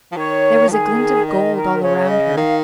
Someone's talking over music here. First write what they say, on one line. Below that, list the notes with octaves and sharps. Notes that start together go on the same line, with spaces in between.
There was a glint of gold all around her.
F3
D#3 C#5
F3
D#3 G#4
D#5
A#4
C#3 C#5
D#5
D#3 F5